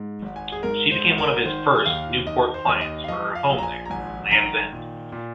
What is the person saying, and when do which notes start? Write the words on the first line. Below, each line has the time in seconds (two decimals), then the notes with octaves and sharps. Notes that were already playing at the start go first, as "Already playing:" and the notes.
She became one of his first Newport clients for her home there, Land's End.
Already playing: G#2
0.22 G#1
0.36 G#5
0.52 G#4
0.63 G#2 A#4
0.91 C5
1.05 G#1
1.18 A#4
1.45 D#3 C5
1.76 G#5
1.85 D#2 F5
2.27 D#3 D#5
2.54 C5
2.67 D#2
2.81 D#5
3.04 F5
3.08 F3 D#5
3.35 F5
3.50 A#1
3.58 A#5
3.63 G#5
3.85 A#5
3.90 G#1 G#5
4.31 D#3 A#5
4.72 A#2
5.12 A#2